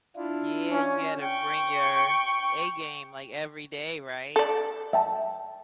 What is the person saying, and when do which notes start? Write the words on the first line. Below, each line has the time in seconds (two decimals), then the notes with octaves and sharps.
Yeah, you gotta bring your A game, like, everyday, right?
0.16 D4 E4 F4
0.71 C#4
1.22 G5 C#6
4.36 A4 D5
4.93 E5 G5 A5